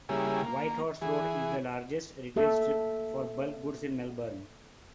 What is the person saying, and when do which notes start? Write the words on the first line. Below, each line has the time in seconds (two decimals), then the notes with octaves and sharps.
Whitehorse Road is the largest retail strip for bulkgoods in Melbourne.
0.09 C#3 G3 A#3 E4 G#4
0.43 A#3
1.02 E3 G#4
2.36 A#3 A4 E5